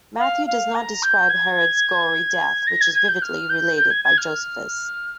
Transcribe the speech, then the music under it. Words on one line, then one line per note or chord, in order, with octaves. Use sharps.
Matthew does not describe Herod's gory death, which is vividly related by Josephus.
F5
F5
A#5
G6
G#6
A#6
G#6
G#6
G6
F6
G6
G6
G#6
G#6
F6